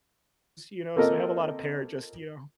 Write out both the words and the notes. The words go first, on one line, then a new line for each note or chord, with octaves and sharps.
s you know, so I have a lot of pair just, you know,
A#3 C4 F4 A4 A#4 D#5